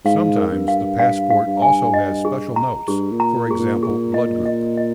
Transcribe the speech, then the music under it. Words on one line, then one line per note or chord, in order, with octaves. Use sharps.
Sometimes the passport also had special notes, for example blood group.
G#2 F5
A#4
G2
F5
G2 F5
F5
G2
G#5
D#5
G#4
A#5
G2 G#4
A#2
A#5
A#2
G#4
A#2
G#4
D#5
D#5
D#5